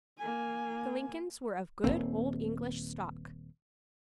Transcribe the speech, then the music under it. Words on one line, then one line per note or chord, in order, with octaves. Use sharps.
The Lincolns were of good old English stock.
A#3 G#5
D#1 A#2 A#3 C4